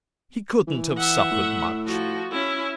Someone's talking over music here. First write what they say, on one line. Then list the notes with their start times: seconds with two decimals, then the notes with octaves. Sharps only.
He couldn't have suffered much.'
0.67 E3
0.98 E5 F#5
1.31 A2
1.87 F3 F#4
2.32 C#4 E4